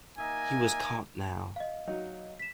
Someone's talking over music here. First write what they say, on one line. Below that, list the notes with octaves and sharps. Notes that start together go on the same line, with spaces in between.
He was caught now.
A#3 D#4 D#5 E5 G#5
D#5 F5
F#3 D#4
B6 E7